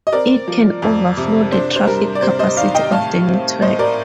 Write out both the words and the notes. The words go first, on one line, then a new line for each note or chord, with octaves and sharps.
It can overflow the traffic capacity of the network.
D#5
C4 A#4 D5
F3
F2
C3
D4 C5
C5
G3 A#4
D5
C3 C5
C5 D#5
D#3 D5 F5
D#5 G5
A2 F5 A5
C4
A2 C5 D#5
A#4 D5